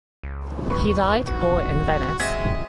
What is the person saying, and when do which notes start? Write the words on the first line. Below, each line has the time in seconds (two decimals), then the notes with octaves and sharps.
He died poor in Venice.
0.23 C#2
0.70 D#2 B4 C#6
1.27 A#1 F#4
2.20 G#3 C4 D#5 E5 G#6